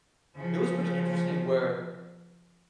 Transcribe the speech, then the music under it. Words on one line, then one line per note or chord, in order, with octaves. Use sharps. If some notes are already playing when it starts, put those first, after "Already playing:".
it was pretty interesting where
C#3 F3